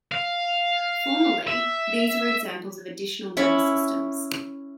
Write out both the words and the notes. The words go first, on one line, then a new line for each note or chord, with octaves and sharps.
Formally, these were examples of additional member systems.
F5
E5
C#4 E4 B5 C#6